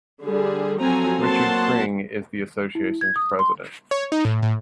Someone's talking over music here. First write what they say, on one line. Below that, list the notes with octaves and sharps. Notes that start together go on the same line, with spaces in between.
Richard Pring is the association's president.
D3 G3 G#4
F3 F#3 C4 A4 G#5 A#5
F#3 A#3 C4 F#5 A5 C6
E4
G#6
D#6
C6
C#5
D#4
A2
A2